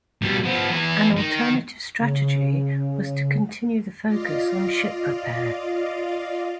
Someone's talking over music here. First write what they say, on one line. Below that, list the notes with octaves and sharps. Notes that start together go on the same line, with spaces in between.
An alternative strategy was to continue the focus on ship repair.
B2 G3
F3 B3
E3 B3
D#3
C#3
F4 D5 D#5 F5